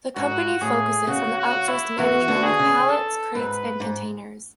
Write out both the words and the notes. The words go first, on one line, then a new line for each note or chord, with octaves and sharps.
The company focuses on the outsourced management of pallets, crates and containers.
G#2 F#4
A2 G#4
C#3 F#4
F#4
E4
E2 E3 F#4
D2 D3
G#4
C#3
A4
G#2 B4
G#2